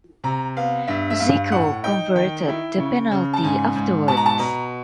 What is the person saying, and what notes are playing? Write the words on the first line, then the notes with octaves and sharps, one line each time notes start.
Zico converted the penalty afterwards.
C3 A#5
B3 F5
G2 E5
E5
G2 F5
A2 F#5
D#4 G5
D#3 G5
E4
C#3
C#3
A5
G#2 G#5
G#2
B2 A5
A#5
A5
B2 A#5